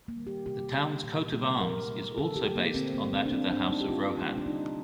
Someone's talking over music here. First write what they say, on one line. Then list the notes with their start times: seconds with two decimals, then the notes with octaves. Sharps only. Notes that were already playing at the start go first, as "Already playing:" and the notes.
The town's coat-of-arms is also based on that of the House of Rohan.
0.08 A#3
0.17 D#3 G3
0.27 G4
0.46 C3 G4
0.74 D#3 G3
1.03 A#2
1.32 G3 A#3
1.60 A#2 A#4
1.88 G3 A#3
2.18 D3 A4
2.36 G4
2.46 A3
2.56 A#3
2.74 D3 C4
2.94 A#3
3.03 A3
3.13 C4
3.26 D4
3.31 D3 C4
3.52 D4
3.60 G3 A#3
3.70 D#4
3.81 G4
3.89 D3 F4
4.18 G3 A#3
4.38 D4
4.46 C3 D#4